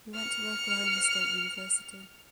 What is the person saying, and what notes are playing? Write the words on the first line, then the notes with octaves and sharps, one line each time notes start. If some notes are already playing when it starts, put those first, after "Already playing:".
He went to Oklahoma State University.
F6 C#7